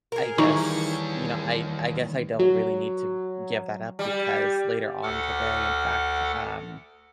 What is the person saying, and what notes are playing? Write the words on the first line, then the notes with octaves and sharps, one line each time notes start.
I guess you know, I I guess I don't really need to give that up because later on today, in fact, um
G#4 A#4
D#2 D#3 E3 G3 D#4 C#5 A#5 C#6
F#3
G3
D2 A4 F#5 D6 F6